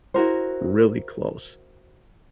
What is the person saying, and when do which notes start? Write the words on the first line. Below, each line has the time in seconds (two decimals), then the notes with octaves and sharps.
really close.
0.14 E4 F#4 A#4 C5